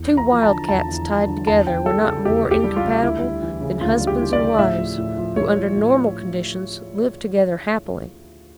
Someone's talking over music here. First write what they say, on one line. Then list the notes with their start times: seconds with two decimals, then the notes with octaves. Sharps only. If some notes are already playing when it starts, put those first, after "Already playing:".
Two wildcats tied together were not more incompatible than husbands and wives, who under normal conditions lived together happily.
Already playing: E2
0.11 E2
0.17 A#5
0.30 F3
0.43 A5
0.50 D3
0.69 E2 A5
0.88 E2
1.08 F3
1.28 D3
1.47 E2 A5
1.66 E2 G5
1.86 G3 A4
2.05 C#3 A4
2.25 E2 G4
2.45 E2
2.51 G4
2.64 G3
2.76 F4
2.83 C#3
3.03 D2 E4
3.23 G3
3.42 E3
3.61 C#3
3.81 D2 F4
4.00 G3
4.07 G4
4.19 E3
4.33 D5
4.40 C#3
4.59 A2 E5
4.78 F3
4.98 A2
5.17 F3
5.36 A2 C#5
5.57 F3
5.76 A2
5.95 F3